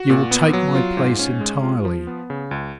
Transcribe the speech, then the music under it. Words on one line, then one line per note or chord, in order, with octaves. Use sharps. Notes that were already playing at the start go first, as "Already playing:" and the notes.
You will take my place entirely.
Already playing: F#4
A#2
B3
F#3
F4
G#2
C#4
G#3
F4
F3
B3
C#3
C#2